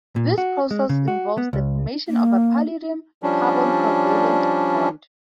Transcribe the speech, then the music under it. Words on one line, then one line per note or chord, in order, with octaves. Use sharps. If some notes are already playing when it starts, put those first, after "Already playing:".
This process involves the formation of a palladium-carbon covalent bond.
A#2
F#4
G#3
C#3
F#4
B3
C#2
A#3
F3 G3 C#4 D4